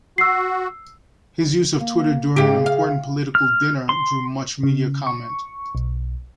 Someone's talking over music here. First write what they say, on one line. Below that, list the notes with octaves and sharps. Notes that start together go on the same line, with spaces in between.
His use of Twitter during an important political dinner drew much media comment.
F#4 E6 C7
A#3
G#2 C#3 G4
F5
F6
C6
C#3
C#6
B1